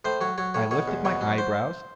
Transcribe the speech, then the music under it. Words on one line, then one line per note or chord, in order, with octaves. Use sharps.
I lifted my eyebrows.
A2 C5
F#3 C#5
F#3 C#5
A2 C#5
B2 C#5
E2
B2 C#5
F#3
C5